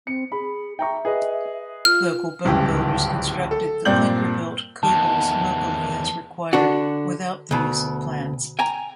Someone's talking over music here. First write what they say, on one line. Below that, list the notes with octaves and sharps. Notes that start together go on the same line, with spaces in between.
Local boat-builders constructed the clinker-built cobles locally as required, without the use of plans.
C4 C#7
G#4 B5
E5 G5 A#5 C#6
G#4 B4 D#5
F4 F6
D1 C#2 G2 E3 G4 G5
A4
G2 A#2 C4 D5 G6 F#7
E2 D#3 A5
D3 D4 F#4
D2 B2
G5 G#5 A#5